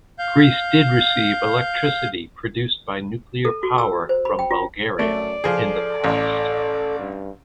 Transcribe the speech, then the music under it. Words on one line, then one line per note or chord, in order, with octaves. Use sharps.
Greece did receive electricity produced by nuclear power from Bulgaria in the past.
F5 G6
A4
F#4
E6
C5
B5
G5
F4
F#2 A3 D5
F3 G#4 A4
A1
G2